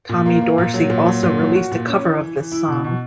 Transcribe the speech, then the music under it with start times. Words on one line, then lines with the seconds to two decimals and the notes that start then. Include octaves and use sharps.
Tommy Dorsey also released a cover of this song.
0.09 A#2
0.26 A#3
0.41 A#3
0.58 A#2
0.74 F#3
0.90 A#2
1.06 F#3
1.23 A#2
1.39 F#3
1.55 F#4
1.71 A#2
1.87 C#4
2.04 E3
2.20 E3
2.35 E3
2.52 E4
2.68 B2
2.84 B2